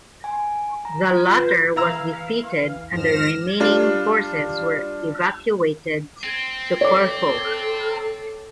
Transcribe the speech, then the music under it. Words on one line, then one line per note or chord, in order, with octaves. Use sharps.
The latter was defeated and the remaining forces were evacuated to Corfu.
G#5
A#5
F4
B4
E3 E4 F5 A#5 E6
F2 G#2 F3 F6 A#6 E7
G3 D4 F4
C4
A4 C#5 D6